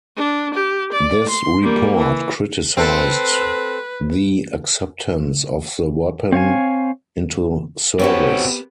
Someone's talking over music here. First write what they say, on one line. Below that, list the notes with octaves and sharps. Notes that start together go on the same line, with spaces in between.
This report criticised the acceptance of the weapon into service.
D4
G4
D5
C6
G3 A#3
E3
C4 A4 B4
C4 C#5 F5 G#5
B3 C4 F#4 G4 B4 C#5